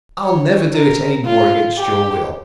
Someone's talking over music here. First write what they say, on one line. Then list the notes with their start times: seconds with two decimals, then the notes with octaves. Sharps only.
I'll never do it any more against your will.
0.23 C#5
0.74 A#4
1.26 F4
1.78 G4